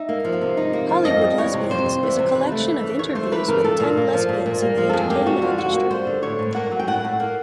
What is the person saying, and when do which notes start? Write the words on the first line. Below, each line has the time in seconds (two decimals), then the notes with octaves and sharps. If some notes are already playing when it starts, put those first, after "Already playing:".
"Hollywood Lesbians" is a collection of interviews with ten lesbians in the entertainment industry.
Already playing: D#4 E5
0.09 A#3
0.25 F3
0.41 C3
0.57 D#4
0.73 A#3
0.89 F3
1.05 F2 D#5
1.21 G3
1.38 E3 C#5
1.54 C3
1.70 F2 C5
1.86 G3
2.03 E3
2.19 C3
2.35 D#2 B4
2.52 A3
2.67 E3
2.83 C#3
2.99 D#2 C#5
3.15 A3 C5
3.32 E3 B4
3.48 C#3 A#4
3.64 A#2 A4
3.80 A#2
3.97 A#3
4.13 F3
4.29 A#2
4.46 A#2
4.62 A#3
4.77 F3
4.89 A4
4.93 F2 G#4
5.10 A#3 G4
5.26 G3 F#4
5.42 D3 F4
5.58 F2 F#4
5.74 A#3
5.90 G3 C5
6.07 D3
6.22 A2 C#5
6.39 A2
6.55 A#3 F#5
6.71 F#3
6.79 G5
6.87 A2 F#5
7.04 A2
7.20 A#3